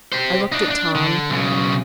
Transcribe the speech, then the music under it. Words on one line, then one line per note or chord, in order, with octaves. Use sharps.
I looked at Tom.
G4 C5
D4 D#4
D4
D3
B1 C#3